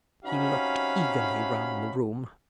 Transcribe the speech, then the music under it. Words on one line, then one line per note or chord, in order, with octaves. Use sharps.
He looked eagerly round the room.
C3 C#4 D#4 F#4 F5 B5